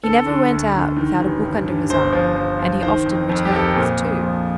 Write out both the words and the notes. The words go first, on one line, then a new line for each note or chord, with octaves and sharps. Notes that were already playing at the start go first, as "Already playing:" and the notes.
He never went out without a book under his arm, and he often returned with two.
D3 A4
D3
D2
D3
D#3
A1
G2
G2
G1 C5
F3
F3
F3
D#3 C5
F2
F2
G4
F2 A4
A#4
A#2 C5
A#1
F3